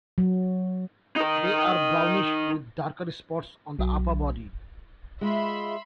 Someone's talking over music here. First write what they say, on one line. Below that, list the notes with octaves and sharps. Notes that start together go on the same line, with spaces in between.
They are brownish with darker spots on the upper body.
F#3
D#4 A#4
B1 F#3
G#3 F4 E5 B5 C6